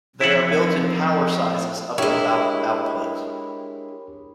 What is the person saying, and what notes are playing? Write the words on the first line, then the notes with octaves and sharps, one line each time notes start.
They are built in power sizes up to about output.
F3 C4 E4 E5 F#5
G#3 D4 E4 G4 A#4 C#5